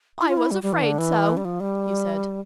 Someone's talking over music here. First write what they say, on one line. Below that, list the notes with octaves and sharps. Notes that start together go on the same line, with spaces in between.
"I was afraid so," he said.
E4
F4
E4
G3
G3
E3
D3
E3
G3
F3
G3